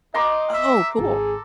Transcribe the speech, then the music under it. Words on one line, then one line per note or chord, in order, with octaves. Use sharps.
Oh, cool.
D#4 D#5 A#5 C6 D6
E5
G#1 G#4 A4